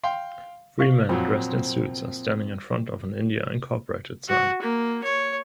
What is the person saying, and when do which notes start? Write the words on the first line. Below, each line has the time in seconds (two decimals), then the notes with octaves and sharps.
Three men dressed in suits are standing in front of a India Inc. sign.
0.03 F5 G5 C6
0.79 F5 C#6
1.09 F2 A#2 F3 F#3 C4
4.28 F#4
4.62 A#3
5.03 C#5